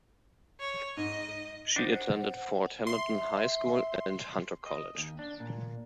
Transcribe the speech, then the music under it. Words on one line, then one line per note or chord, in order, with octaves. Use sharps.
She attended Fort Hamilton High School and Hunter College.
C#5
G#2 D#5
D4 D#4 C5 D#5 F#5
E5 C6
D#5
D#2
D4
A#2